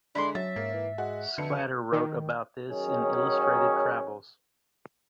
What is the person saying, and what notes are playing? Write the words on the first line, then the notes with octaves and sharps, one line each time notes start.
Sclater wrote about this in "Illustrated travels".
D3 G#3 D4 E4 D5 C6
F#3 C#4 E5 A6
G#2 A#3
E3
G#3 F#4
F2 B2 D3 C#7
D#3
D#3 F#3 C#4 G#4